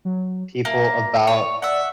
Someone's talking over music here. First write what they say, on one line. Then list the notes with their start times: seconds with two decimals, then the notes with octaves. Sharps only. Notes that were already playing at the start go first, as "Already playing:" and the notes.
people about
0.05 F#3
0.65 A#3 E5
1.27 C#5 D5
1.62 D5 E5 F#5